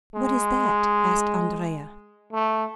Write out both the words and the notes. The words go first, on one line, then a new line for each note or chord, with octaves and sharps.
"What is that?" asked Andrea.
G#3
A3